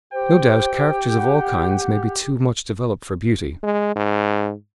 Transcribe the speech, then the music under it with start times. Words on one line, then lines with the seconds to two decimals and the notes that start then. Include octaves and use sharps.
No doubt characters of all kinds may be too much developed for beauty.
0.13 G4 C5 G5
1.16 F#5
3.63 G#3
3.96 G#2